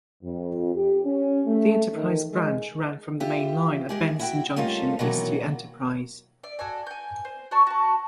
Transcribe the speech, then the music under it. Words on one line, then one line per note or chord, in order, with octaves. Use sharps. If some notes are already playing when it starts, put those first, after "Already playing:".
The Enterprise Branch ran from the main line at Benson Junction east to Enterprise.
F2
G4
C#4
A3
D#3
G#3
F4 G4 E5
G#3 G4 G#4
E4 F#4 G5
G3 A3 A#3 C#4 D#4 F4
B2 D#3 E3 F#3 A#3 B3
D5 E5
F#4 A4 D5 G#5
G#5 G6
C5
F#4 D5 A5 C#6
F#4 A5